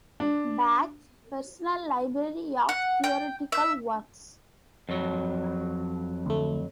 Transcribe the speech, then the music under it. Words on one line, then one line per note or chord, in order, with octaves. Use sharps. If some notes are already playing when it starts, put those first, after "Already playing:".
Bach's personal library of theoretical works.
D4
F#5
G5
E5
F2 F#3
D2 A3